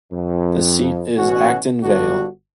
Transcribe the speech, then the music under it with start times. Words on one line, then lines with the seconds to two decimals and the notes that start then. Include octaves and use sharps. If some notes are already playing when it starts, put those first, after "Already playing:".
The seat is Acton Vale.
0.12 F2
1.18 A1 B2 C#4 F#4
1.84 G1 G2 D4 F#4